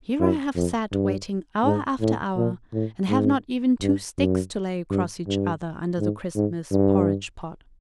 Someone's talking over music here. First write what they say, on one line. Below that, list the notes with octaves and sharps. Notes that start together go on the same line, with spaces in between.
"Here I have sat waiting hour after hour, and have not even two sticks to lay across each other under the Christmas porridge-pot."
F#2
F2
G2
G#2
A2
A#2
A2
G#2
G2
F#2
G2
G2
G#2
G#2
G2